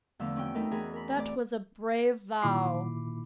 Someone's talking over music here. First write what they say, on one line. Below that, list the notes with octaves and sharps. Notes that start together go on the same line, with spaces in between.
"That was a brave vow."
E2 D3 F3 A3 F5 E6
C4 C#4 F#4 G5
A3 D#4 E4 A#4
E2 E3 G#4 A#4 G#5 B5
A#4 B5
A3 C4 D5
A#2 D#3 E4 B5 D6 C7